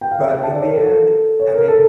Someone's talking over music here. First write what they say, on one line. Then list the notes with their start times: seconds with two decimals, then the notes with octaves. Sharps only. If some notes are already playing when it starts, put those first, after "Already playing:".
But in the end, I mean
0.01 G5
0.11 F5
0.21 E5
0.32 G5
0.43 A5
0.51 D5
0.60 C#5
0.67 A#4
0.76 A4
1.40 C#5
1.54 A#4
1.68 A4